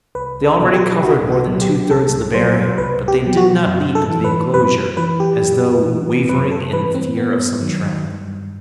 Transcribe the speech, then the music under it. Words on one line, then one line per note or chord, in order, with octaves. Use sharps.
They already covered more than two-thirds of the barrier, but they did not leap into the enclosure, as though wavering in the fear of some trap.
C2 B4
A4
B2 F#3
G4
C2 F#4
F#4
B2 F#3
G4
C2 A4
B2 F#3 C5
C2 B4
G4
B2 F#3
F#4
F#2
A4
E3
B4
F#2 B4
E3 B4
G4
F#2
E3
F#2 B4
A4
E3 B4
C4
G2 B3
D#3 F#3
G2